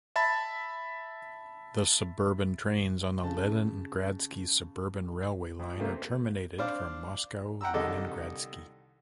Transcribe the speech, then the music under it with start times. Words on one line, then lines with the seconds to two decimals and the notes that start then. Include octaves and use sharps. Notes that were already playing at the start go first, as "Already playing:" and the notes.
The suburban trains on the Leningradsky suburban railway line are terminated from Moscow Leningradsky.
0.16 E5 A5 B5 A6
3.23 C#3 A5
5.59 F2
5.79 C3 A3 A#3 C4
6.58 D4 C5 F5 D6
7.61 F#5 G5 A#5 E6
7.74 C2 D3 D#3 G3 A4 D#5